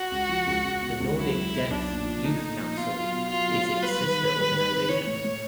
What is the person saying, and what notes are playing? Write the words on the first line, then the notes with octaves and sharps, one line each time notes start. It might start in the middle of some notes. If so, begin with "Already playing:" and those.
The Nordic Deaf Youth Council is its sister organization.
Already playing: F#4
C#2
F3
C#2
C#2
B2
C#2
F#3 E4
C#2
B2
B1 D4
A#2
F3
A3 D#4
A#2
F3
B2 F4
F#3
B2
F#3 F4
B2
F#3
G3 B4
D#3
D#3
G3
D#3
C3
E3 C#5
A2
A2